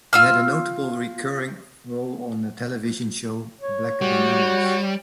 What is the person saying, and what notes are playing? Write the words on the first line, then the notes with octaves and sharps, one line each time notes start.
He had a notable recurring role on the Television show The Black Donnellys.
F4 E6 F6
C#5
G3 F#4